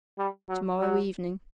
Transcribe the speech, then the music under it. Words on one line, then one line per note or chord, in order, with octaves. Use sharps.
"To-morrow evening."
G3
F#3
F#3